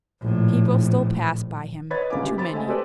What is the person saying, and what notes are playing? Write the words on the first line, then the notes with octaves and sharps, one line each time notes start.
People still passed by him--too many.
A#1 A2
B4 C#5 D#5 B5 G#6 A6
G1 C#2 C#3 A#3 G#5 D6
G4
C4 B5 A6
G#3 A3 D#5 G#5
C4 G4 A4 B4 D5